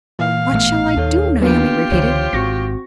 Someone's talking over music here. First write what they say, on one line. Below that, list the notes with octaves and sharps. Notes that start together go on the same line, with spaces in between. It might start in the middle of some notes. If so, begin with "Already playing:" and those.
"What shall I do?" Naomi repeated.
A#2 E3 F5
A1 A3 B3
D#2 D#4 A4 C#5
A#3 B3 D4 F4 G4 B4
C#2 D3 E3 C5 C#5
G#1 C4 F#4 C#6 A#6